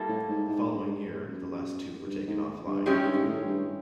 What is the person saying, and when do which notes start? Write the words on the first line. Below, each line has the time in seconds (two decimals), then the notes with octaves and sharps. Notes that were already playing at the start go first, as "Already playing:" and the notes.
The following year, the last two were taken off-line.
Already playing: G3 A#3 E4 A4
0.09 A2
0.29 G#2
0.48 G#2
0.68 G#2
0.74 G2
1.28 F#2
2.06 G2
2.27 G#2
2.67 G2
2.86 F#2 D#3 G#3 C#4 E4 G4
3.06 G2
3.17 G#2
3.25 A2
3.46 G2